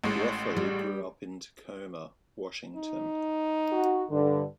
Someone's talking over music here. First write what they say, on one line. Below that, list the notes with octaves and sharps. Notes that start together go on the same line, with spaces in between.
Ruffo grew up in Tacoma, Washington.
A1 A2 G#3
G3
D#4
F#4
G2 D3